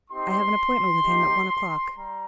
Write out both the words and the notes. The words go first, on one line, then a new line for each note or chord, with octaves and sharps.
I have an appointment with him at one o'clock.
C4 D#4 G4 C6
A#3 D#4 G4
G3 A#5